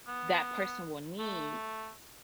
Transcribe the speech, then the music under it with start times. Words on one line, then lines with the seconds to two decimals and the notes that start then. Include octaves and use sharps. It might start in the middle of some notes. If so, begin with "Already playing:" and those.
that person will need,
0.07 B3
1.19 A3